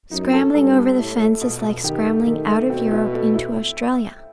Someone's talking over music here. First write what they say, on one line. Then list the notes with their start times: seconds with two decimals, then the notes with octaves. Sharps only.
Scrambling over the fence is like scrambling out of Europe into Australia.
0.11 F#2 D#4
0.33 A4
0.54 G2 A4
0.76 G3
0.98 A2 A3
1.19 A3
1.41 B2
1.62 B2
1.84 D#3 G4
2.05 A3
2.26 D#3 A3
2.49 A3
2.70 B2 C4
2.91 E4
3.13 A3
3.34 E4